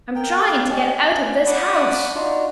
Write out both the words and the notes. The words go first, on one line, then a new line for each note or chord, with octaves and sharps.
"I'm trying to get out of this house!"
A#4 G5
F5 G5 B5 D6
G4 C#5 D#5 G#5 A5
G#5
D5 F#5 A5 B5 C#6 D#6
D4 D#4 F4 F#4